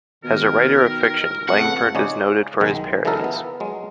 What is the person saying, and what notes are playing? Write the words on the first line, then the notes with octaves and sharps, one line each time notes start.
As a writer of fiction, Langford is noted for his parodies.
B2 D#3 A#4
F2 C#3 A3 B3 F#5 C#6
C#3 G#3 D#4 C#5 D5
B1 D#3 G#3
C#3 E3 F#3 D#4 A4 A#4
B3
F#3 G#3